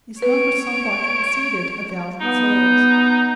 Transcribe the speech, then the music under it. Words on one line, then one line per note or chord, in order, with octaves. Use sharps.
Its number somewhat exceeded a thousand souls.
B4 C#5 D7
B3 D#4